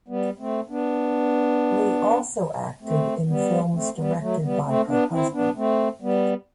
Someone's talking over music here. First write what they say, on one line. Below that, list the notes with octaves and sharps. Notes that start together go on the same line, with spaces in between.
Lee also acted in films directed by her husband.
G3 B3
A3 C4
B3 D4
A3 C4
G3 B3
A3 C4
G3 B3
F#3 A3
G3 B3
A3 C4
B3 D4
C4 E4
B3 D4
A3 C4
G3 B3